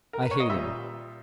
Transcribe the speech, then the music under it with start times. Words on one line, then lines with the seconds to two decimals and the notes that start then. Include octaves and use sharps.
I hate him!
0.13 A#4
0.22 B4
0.31 C#5
0.40 D#5
0.49 A#2 G3 E5